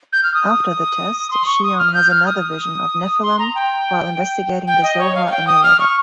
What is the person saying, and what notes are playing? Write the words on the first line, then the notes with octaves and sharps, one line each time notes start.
After the test, Shion has another vision of Nephilim while investigating the Zohar Emulator.
G6
F6
D#6
C6
C#6
D#6
F6
G6
F6
D#6
C6
A#5
G5
G5
D#5
C#5
F5
F5
G5
D#6
F6
C#6